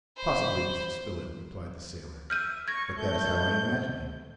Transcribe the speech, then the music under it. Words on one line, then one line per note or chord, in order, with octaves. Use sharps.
"Possibly, Mr. Spilett," replied the sailor, "but that is how I imagine him!"
C5 B5
E5 F6 G6 D#7
C#6 G#6 A#6
A3 G6